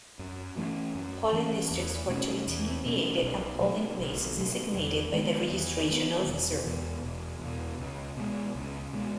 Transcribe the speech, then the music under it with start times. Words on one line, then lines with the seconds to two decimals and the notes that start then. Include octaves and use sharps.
Polling districts were to be delineated and polling places designated by the registration officer.
0.19 F#2
0.57 E3 A3 C#4
0.95 F#2
1.32 E3 A3 C#4
1.71 E2
2.08 B2 A3 C#4
2.47 E2
2.85 B2 A3 C#4
3.22 B1
3.60 B2 F#3 A3
3.99 B1
4.36 B2 F#3 A3
4.75 E2
5.13 D#3 G#3 B3
5.51 E2
5.89 D#3 G#3 B3
6.27 E1
6.65 E2 B2
7.04 E1
7.41 E2 B2
7.79 C#2
8.17 B2 G#3
8.55 C#2
8.93 B2 G#3